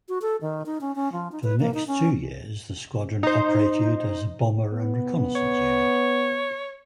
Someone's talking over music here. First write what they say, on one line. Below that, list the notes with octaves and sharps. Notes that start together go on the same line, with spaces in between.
For the next two years the squadron operated as a bomber and reconnaissance unit.
F#4
A4
D#3
D#4
C#4
C#4
F3
D#4
B4
A#3
D#4
C#4
D#4 C5
B3
C#5